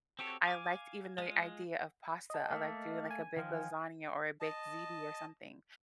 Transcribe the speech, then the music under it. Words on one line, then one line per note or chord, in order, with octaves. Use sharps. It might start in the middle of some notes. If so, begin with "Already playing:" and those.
I liked even the idea of pasta. I like doing, like, a big lasagna or a baked ziti or something.
C4 F#4 G4 A4 C#5
F5 G#5 D6
G#3 F4
D#5 A5
A3 A#3
G#5
D#3 F3
D#5 A5